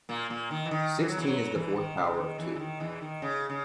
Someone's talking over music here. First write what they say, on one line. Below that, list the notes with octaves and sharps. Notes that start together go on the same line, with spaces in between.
Sixteen is the fourth power of two.
A#2 A#3
A#2 A#3
D#3
E3
D#3
E3
F#3
E2 E3
F#2 F#3
E2 E3
D#3
C#3
D#3
E2 E3
E3
D#3
E2 E3
D#3
C#3
C#3